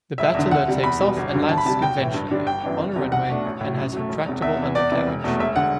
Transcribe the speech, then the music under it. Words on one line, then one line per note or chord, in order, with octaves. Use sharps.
The Bateleur takes off and lands conventionally, on a runway, and has retractable undercarriage.
E1 E5
E2 D3
D2 F#5
C3 G3
E2 B5
B2 G3
G1
G2 D3 F#3
D2 A5
B5
C3 G3 A5
B1 G5
A2 E3
G2
D3 G3 D4
G1 G5
F#2 E3 B3 D4
F#1
E2 C3 G3
B1 F#5
B2 A3 D4
A1
A2 F#3
F#2
F#3 A3
E1
E2 C3
E2 E5
C3 E3
E2 D5
C3 E3
E1
E2 B2 A3
E1 E5
D3 F#5